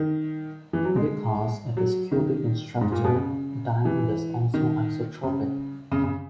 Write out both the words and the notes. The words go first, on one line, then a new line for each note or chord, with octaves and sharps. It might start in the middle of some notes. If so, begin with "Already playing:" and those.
Because it is cubic in structure, diamond is also isotropic.
Already playing: D#3
E3
F#3
G#3
F#3
D#3
G#2
A#2
B2
C#3
E3
D#3
C#3
C#3
C#3